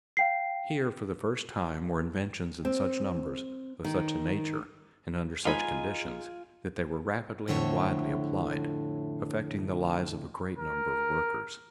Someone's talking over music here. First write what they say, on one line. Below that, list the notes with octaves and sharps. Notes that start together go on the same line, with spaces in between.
Here for the first time were inventions in such numbers, of such a nature, and under such conditions, that they were rapidly and widely applied, affecting the lives of a great number of workers.
F5 G5 C7
C4
D#3
G#3 D#4 F4 G#5 B5
F2 A2 D3 C#5 E5
A#4